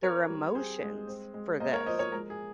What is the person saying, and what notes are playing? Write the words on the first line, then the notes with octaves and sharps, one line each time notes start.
their emotions for this.
C4 A#4 C#5
G3
C4 G#4 C5
G#3
C4
G#3
A#3 C5 D#5
A#4 C#5
F3 C5 D#5
A#4 C#5
G#3 A#4
G#4